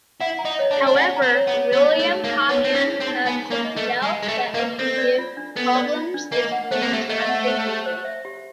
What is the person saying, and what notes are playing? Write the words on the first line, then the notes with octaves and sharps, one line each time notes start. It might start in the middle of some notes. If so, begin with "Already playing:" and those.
However, William Kahan has pointed out that it can give problems if used unthinkingly.
E4 F#5
A#5
D#4
C#5
D4
G#4
D4
C#4 F#5
A#5
C4
C#5
B3
G#4
B3 C#5
D#4
A3
G#4
A#3
D#4
B3 C#5
C4 D#4
C#4
G#4
C4
D#4
B3 G#5
C#6
A#3
D#5
A3
B4
G#3 G#5
G#3 C#6
A3
D#5
A#3
B4
C4 A4
D5
F4
D4
B3 A4
D5
F4
D4
A#3 D#5
F#5
A3 C5
A#3
A3 G4
A3 D#5
F#5
C5
G4
C5
E5
G4